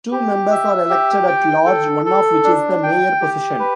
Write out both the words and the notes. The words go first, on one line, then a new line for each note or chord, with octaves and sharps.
Two members are elected at large, one of which is the mayor position.
G4
E5
G4
G5
A4
A4
D4
G5
G4
B4